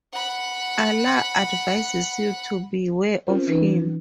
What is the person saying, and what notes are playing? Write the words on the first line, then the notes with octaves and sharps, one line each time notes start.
Allah advises you to beware of Him.
F#5 B5
C4 C#4 F4 A#4 C5
E3 D#4 B4